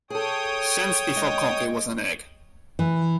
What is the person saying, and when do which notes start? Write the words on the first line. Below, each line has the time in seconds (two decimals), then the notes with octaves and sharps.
Since before cocky was an egg.
0.10 G#4 A4 C#5 G5 D#6
1.16 G#3 D#5
2.79 E3